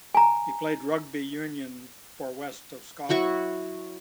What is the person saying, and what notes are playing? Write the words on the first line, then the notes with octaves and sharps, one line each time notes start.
He played rugby union for West of Scotland.
G#5 A#5
F#3 E4 F#4 C#6